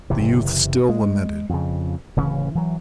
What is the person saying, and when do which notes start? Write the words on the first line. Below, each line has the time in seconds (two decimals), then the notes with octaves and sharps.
The youth still lamented.
0.10 F#1 C3 E3
0.89 G#3
1.49 F2 C#3
2.16 D1 C#3 E3 C#4
2.55 E3 F#3